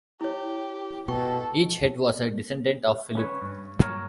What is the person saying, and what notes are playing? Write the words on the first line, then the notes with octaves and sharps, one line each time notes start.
Each head was a descendant of Philip.
E4 G4 C#5
B2 A4 G5 C#6
C#4 B4 C#5
G2
A#2 F#3 A#4 C#5